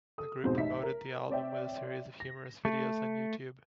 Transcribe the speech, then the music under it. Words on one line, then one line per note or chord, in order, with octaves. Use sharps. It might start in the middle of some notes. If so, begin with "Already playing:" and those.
The group promoted the album with a series of humorous videos on YouTube.
A4 D#6
F2 G#2 B2 C5
A1 D#4 E5 B6
A#4
C4 C#5 D5 E5 G5
A#6
A3